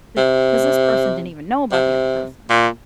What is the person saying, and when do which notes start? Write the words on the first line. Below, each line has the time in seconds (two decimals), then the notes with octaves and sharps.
'cause 'cause this person didn't even know about the other person.
0.17 C3
1.72 C3
2.50 A#2